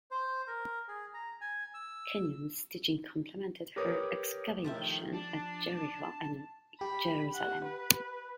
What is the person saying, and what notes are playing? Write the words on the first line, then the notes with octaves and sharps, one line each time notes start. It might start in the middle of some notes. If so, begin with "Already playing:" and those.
Kenyon's teaching complemented her excavations at Jericho and Jerusalem.
C5
A#4
G#4
A#5
G#5
E6
G4 A#4 B4 C#5 D6 D#6
A2 D#3 F3 G4 E5
D4 A5
G4 B5
F#5
B4